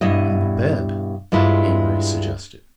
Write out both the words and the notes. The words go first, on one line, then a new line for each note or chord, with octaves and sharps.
"And the bed," Amory suggested.
G2 B2 E4 D#5
G2 G#3 D4 E4 F4